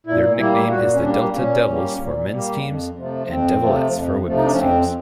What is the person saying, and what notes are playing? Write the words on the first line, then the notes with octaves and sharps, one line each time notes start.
Their nickname is the Delta Devils for men's teams and Devilettes for women's teams.
A#2 E4
G3 A#3 E4
A#2 F#4
C#4
G3 A#3 D4
A#2 C#4
G3 A#3
A#2
G3 A#3
F2
C3 F3 A3
F2 C4
C3 F3 A3
F2
C3 F3 A3
D#4
D4
C#4
F2 C4